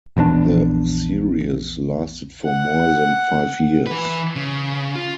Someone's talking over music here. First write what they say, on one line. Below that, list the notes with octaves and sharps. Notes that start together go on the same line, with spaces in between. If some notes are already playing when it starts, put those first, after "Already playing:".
The series lasted for more than five years.
A#1 E2 F3 D4
F#5
E3 B4
C#3
F4